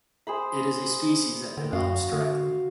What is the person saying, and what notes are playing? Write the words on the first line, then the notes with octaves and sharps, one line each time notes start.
It is a species that develops directly.
G#4 C5 B5
D3 G5
F#2 F#4 F5
D3